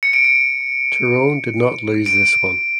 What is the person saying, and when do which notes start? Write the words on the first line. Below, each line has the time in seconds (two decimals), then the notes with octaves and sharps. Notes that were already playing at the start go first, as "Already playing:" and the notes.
Tyrone did not lose this one.
0.03 C#7
0.13 D7
0.24 C#7
2.06 D7